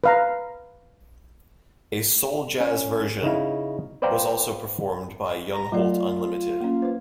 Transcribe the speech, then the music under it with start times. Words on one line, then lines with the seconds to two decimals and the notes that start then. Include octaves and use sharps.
A soul-jazz version was also performed by Young-Holt Unlimited.
0.04 B4 F5 A#5
2.61 C#4
3.23 C#3 D#4 E4 F5
4.02 B4 C5 D5 F5 G5 A#5
5.53 A#5
5.72 F#3 A3 F4 D5
6.61 A#3 C#4
6.82 B4 C5